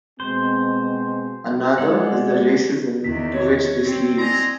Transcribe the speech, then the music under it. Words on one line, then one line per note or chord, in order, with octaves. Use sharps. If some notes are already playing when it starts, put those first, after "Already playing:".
Another is the racism to which this leads.
B2 G#3 C4 C5
G#3 D5 F#5
E2 D#3 E4 B6
C#5
C4
D5 D#5 G#5 A#5 C6 A6